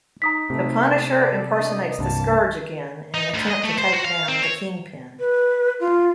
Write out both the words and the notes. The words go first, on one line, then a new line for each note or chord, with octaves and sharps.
The Punisher impersonates the Scourge again in an attempt to take down the Kingpin.
D#4 A#5 D#6 B6
C3 A3 D#4
A4 D5
D4 D#5
C2 G2 A#3 A5
D#4
D2
D#5
A3
C5
F#4
F5
C4
C#5
B4
F4